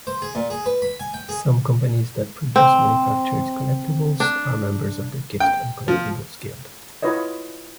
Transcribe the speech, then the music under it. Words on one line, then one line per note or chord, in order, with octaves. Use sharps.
Some companies that produce manufactured collectables are members of The Gift and Collectibles Guild.
C5
G#4
A#2
G#4
B4
B5
G#5
G5
G#4
C4
D4
G5
F3
E4 F4 B4 C#5 D#5